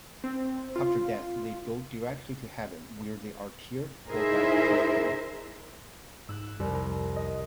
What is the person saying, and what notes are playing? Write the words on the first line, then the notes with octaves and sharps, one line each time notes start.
After death they go directly to Heaven, where they are cared for by Abraham.
C4
F4
D#4 E4 G#4 A#4 C5 E5
G#2 E6 F#6
C2 F2
A#5
D#5